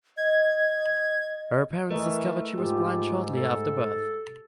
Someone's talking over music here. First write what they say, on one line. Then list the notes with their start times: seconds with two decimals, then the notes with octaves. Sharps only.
Her parents discovered she was blind shortly after birth.
0.17 D#5 G#6
1.91 E3 A3 A#4 D#5
2.58 G#2 F4 G4
3.36 A4